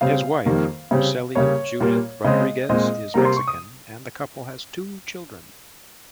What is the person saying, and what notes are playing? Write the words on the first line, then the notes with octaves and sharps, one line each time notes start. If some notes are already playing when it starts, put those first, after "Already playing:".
His wife Rosseli Judith Rodriguez is Mexican and the couple has two children.
C#3 G3 C4 F5
F2 D#3 G3 A#3
C#3 G3 C4
C#3 G3 A#3 C#5
A#2 G3 A#3
C#3 G#3 C4 D#5
A#2 G#3 C4 D#5
C3 G3 A#3 A#5
C6
C#6
D#6